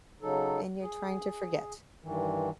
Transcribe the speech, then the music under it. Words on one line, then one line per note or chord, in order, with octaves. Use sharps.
and you're trying to forget,
C#3 F#3 D#4 A4
G#4
G2 D#3 E3